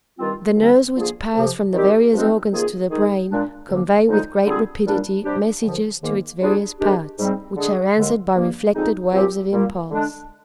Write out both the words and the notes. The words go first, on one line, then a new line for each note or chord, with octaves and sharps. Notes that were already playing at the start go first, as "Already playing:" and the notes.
The nerves which pass from the various organs to the brain convey with, great rapidity messages to its various parts, which are answered by reflected waves of impulse.
G2 D#3 G3 C4 F4
D#2 D3 G3 C4
D3 F3 A#3 F4 G#4
F2 C3 F3
D#3 G3 C4 G4
G2 F3 G#3 C4 D#4
C3 D#3 A#3 F4 G#4
D#3 G#3 D#4 G#4
A#2 G#3 D4
D2 D3 F3 A#3
F2 D3 G#3 D#4
D3 G3 C4 F4 G#4
C2 A#2 G3 D4
C3 G3 D4 G4
D#2 D3 F3
G#2 D#3 A#3
C3 G3 D4 F4 G#4
C3 D#3 G#3 D4 G4
G#2 G3 C4
D3 G#3 D4 G#4
D#2 D3 G#3
G2 F3 A#3
F2 D3 G#3 C4 D#4
A#2 F3 C4 G4
A#2 G3 A#3
D3 G#3 D4